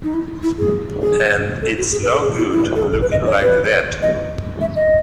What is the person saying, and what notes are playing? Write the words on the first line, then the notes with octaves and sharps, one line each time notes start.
And it's no good looking like that.
D#4
E4
E4
G#4
G#4
A4
F#4
G#4
B4
A4
G#4
E4
E4
A4
G#4
A4
B4
D#5
C#5
B4
D#5
E5
D#5